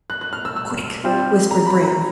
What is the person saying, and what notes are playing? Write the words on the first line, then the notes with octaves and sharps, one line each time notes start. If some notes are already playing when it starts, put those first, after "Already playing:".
"Quick!" whispered Braith.
F#6
F#6
F6
E6
E6
G3 C4 F4
A#5
B5
A#5